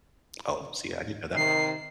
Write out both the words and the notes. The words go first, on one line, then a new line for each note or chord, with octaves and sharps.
Oh, see, I didn't know that.
C3 D#3 C7